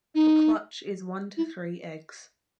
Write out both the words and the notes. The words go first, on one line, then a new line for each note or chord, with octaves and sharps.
The clutch is one to three eggs.
D#4
E4